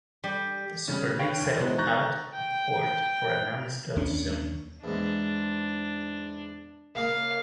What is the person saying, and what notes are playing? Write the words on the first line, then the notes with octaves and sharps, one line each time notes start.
The Superleague settled out of court for an undisclosed sum.
G3
C#3 G3 C#4
B4 C#5 F5 G5
F1 D#2
D#3 E3 G#3 B3 F#4 C5
A#5 C#6 F#6 G6 A6 A#6
G5
D#2 C#4 D4
E2 G#2 D4
C#3 A#3 F5 D#6